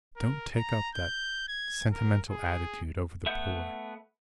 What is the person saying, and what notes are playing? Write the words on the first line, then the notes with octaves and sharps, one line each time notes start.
Don't take up that sentimental attitude over the poor.
A#4
A#5
G6
G#6
A#4
G#4
A3 B3 E5 F#5 G6